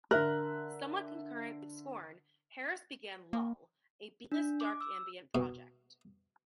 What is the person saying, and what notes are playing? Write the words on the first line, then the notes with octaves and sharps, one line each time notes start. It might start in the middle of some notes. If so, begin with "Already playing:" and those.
Somewhat concurrent with Scorn, Harris began Lull, a beatless dark ambient project.
D3 A#4 E5 F#6
A#3
D4
D6
E6
B2